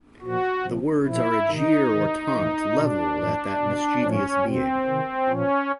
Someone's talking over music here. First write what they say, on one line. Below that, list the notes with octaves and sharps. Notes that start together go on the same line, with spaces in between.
The words are a jeer or taunt leveled at that mischievous being.
A#2 F3 F#4
C3 F3
A#2 F3 E4
C3 D#3 D#4
C3 D#3
A2 E3
B2 D4
A2 E3
B2
A2 F3 C#4
B2 C4
C3 D#3
A#2 F3 C#4